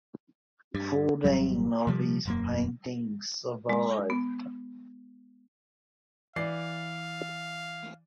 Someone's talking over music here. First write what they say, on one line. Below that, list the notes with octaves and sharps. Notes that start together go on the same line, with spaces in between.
Fourteen of his paintings survived.
G2
G#1 F#2 F#3 G3
C3 F3 G3
E1 F#2 A#3
G#3
B3
E3 D5 F5 C7